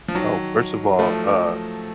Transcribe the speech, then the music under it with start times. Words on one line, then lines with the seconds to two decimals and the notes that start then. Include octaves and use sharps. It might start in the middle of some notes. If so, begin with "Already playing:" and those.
Oh, first of all, uh,
0.08 F3
0.15 D#3 F#3
0.99 F3 A3